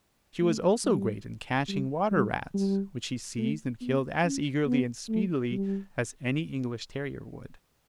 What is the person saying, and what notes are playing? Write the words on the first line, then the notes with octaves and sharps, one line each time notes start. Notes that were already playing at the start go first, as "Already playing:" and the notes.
She was also great in catching water-rats, which she seized and killed as eagerly and speedily as any English terrier would.
A3
G3
G3
G3
G3
A3
B3
C#4
B3
A3
G3